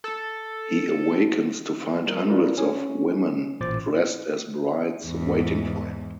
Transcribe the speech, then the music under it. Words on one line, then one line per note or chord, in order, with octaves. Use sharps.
He awakens to find hundreds of women dressed as brides waiting for him.
A4
G3 A#4
E4 F4 A#4 B4 D5
C#4
A1 A#2 C5 D6 A6
E2 G#2